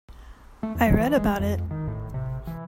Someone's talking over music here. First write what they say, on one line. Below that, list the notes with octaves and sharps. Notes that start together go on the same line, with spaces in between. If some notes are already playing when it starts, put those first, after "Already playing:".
I read about it.
A3
E2
F#3
E3
G#3
F2
D#3
A2
C3
E3